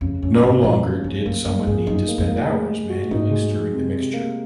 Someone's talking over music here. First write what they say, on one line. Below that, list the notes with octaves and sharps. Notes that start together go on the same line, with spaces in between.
No longer did someone need to spend hours manually stirring the mixture.
F2 C#3
F2 C#4
G#2 A#3
A#2 F3
C#3
F2 C#4
F#2 A#3
F#2 A#3
G#2 G#4
F#2 D#4
A#3
F2
A#3
G#3
G#3
F#4
G#2 D#4
G#3
G#3
C3
C3
A#3